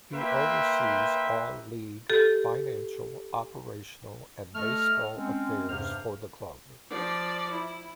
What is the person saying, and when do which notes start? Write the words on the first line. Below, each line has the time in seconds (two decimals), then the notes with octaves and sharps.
He oversees all league, financial, operational and baseball affairs for the club.
0.14 A#3 B4 E5 G5 C6
2.10 G4 A4
4.55 A3 A4 D#5 F6
5.16 G#3 C4 C#4
5.69 E2 G2 C3 C5 F6
6.89 F3 D5
7.51 E4